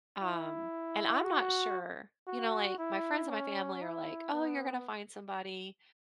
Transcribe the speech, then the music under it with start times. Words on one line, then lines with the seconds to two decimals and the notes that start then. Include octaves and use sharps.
um and I'm not sure You know, like, my friends and my family are like, "Oh, you're gonna find somebody,"
0.22 E4
1.24 F#4
2.27 F#4
2.78 E4
3.30 C#4
3.82 E4
4.32 B3